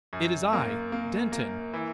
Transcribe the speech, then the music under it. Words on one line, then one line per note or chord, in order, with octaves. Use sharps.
It is I--Denton.
F#2
A#3
A#3
A#3
E3